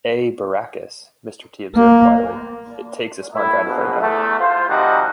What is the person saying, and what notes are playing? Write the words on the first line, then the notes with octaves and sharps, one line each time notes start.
A. Baracus, Mr. T observed quietly, It takes a smart guy to play dumb.
A#3
A2 E4
A#1 B2
E2 A3
F4 C5
C3 D#3 F3 G3 D#4 F#4